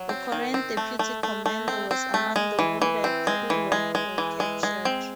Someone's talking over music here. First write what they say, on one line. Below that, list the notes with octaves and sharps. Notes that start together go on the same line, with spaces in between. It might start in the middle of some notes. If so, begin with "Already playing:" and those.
The Korean deputy commander was among the wounded who were captured.
Already playing: F#3
C4
D#3
C4
A3
A3
A3
A3
C4
C4
A3
G#3
E3
E3
C4
G#3
E3
G#3
G#3
E3
G#3
G#3
C4